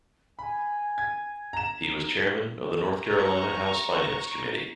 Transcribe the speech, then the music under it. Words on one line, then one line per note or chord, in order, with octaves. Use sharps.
He was chairman of the North Carolina House Finance Committee.
G#5 B5
G#6
A#5 E7
A#5 C#6